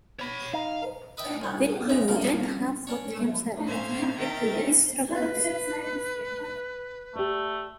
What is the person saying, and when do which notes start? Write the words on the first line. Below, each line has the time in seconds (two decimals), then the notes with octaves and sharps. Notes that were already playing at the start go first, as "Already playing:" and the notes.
Then he wouldn't have got himself into these troubles.
0.19 C#5 B5
0.53 D#4 F5
1.17 B4 D#5 E5 G5
1.41 C2 C#4
1.89 G#2 B3 E5
2.08 F3 G3 A#3
2.87 C#4 D4 C#5
3.65 A2 C#4 C5 E5 F5 G#6
4.16 D#3 E5 G5 A#5 F6 A6
5.14 B4
7.15 A3 G4 D5